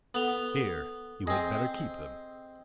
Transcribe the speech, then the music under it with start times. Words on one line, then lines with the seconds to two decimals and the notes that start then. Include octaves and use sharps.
'Here, you had better keep them!
0.14 B3 A4 F7 G7
1.27 C4 G#4 D#5 G5